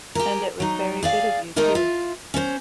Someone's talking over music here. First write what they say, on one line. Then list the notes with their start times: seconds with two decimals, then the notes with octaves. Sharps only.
And it was very good of you, too.
0.15 G4 G#4 A#4
0.60 F#3 D#4
1.03 G#4 D5 F5
1.56 G#3 A3 D#4 G4 A#4 D#5
1.75 F4 E5
2.34 C#4 C5